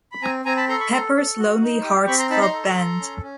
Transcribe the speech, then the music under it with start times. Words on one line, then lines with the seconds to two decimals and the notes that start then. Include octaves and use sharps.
Pepper's Lonely Hearts Club Band.
0.12 B5
0.22 C4 G#5 A#5
0.45 C4 G#5 A#5
0.57 A5 B5
0.68 A4 A#5 C6
0.80 B5 C#6
0.92 A4 A#5 C6
1.15 A4
1.38 F#4
1.61 D#4
1.84 G4
2.07 C4 B5 C#6
2.19 A#5 C6
2.30 D#4 A5 B5
2.41 A#5 C6
2.53 A4
2.77 A4
3.00 C#4
3.22 C#4